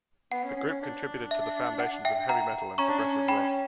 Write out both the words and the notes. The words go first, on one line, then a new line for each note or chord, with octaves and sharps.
The group contributed to the foundations of heavy metal and progressive rock.
B3 F#5
C#4
C#4
C#4
D4
E5
F#5
E5 G5
F#5 A#5
C#4 A#5 C#6
D4
C#4
G5 B5